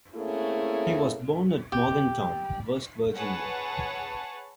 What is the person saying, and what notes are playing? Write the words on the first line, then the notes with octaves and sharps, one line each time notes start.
He was born at Morgantown, West Virginia.
A3 A#3 C4 C#4 E4 G#4
G4
G#4 B4 C#5 F#5 A5